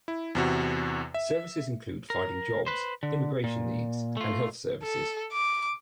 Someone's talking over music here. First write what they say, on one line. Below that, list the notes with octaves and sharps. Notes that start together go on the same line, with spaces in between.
Services include finding jobs, immigration needs, and health services.
E4
E2 C3 F#4
E5
A#4
B4 C5
D3
A#2
A3 F4
A4
D6